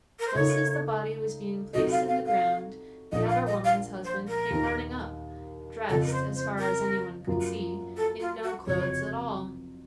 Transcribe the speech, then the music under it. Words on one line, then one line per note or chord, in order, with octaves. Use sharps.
Just as the body was being placed in the ground the other woman's husband came running up, dressed, as far as anyone could see, in no clothes at all.
A#4
C5
C#3 A3 D#4 A#4 C#5
C3 F#3 A3 D#4 F#4 D#5
F5
F5
F5
A#1 A#2 F3 D#5
F5
D#5
F5
C5
A#4
D#2 D#3 A#3
F2 C#3 F3 A4
A#4
C5
C5
A#4
F#2 F3 A#3 F4 A#4
A4
F4
F#4
F#1 F2 C3 F#3 C#5